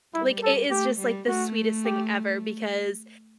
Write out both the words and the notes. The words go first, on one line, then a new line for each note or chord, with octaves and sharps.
Like, it is just like, the sweetest thing ever because,
G3 E4
A4
A3 G4
G3
A3 F#4
G4